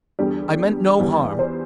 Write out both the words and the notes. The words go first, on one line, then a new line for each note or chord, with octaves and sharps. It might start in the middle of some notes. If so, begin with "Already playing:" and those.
I meant no harm.
E2 D3 G3 G4
E2 E3 G3
C5